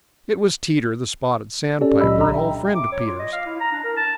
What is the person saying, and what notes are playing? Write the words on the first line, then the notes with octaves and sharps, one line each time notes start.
It was Teeter the Spotted Sandpiper, an old friend of Peter's.
C#4 G4 A4 D5
C#2 A#2 F#3 D#5 B5 E6
B1 D4 D#5 A#5 B5
E5 G5
D6
C#5
F4
D#5
F5
E4
A#5
D4
A#4
A5